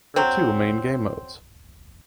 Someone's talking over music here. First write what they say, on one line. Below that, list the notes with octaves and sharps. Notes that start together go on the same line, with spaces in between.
There are two main game modes.
F#3 C4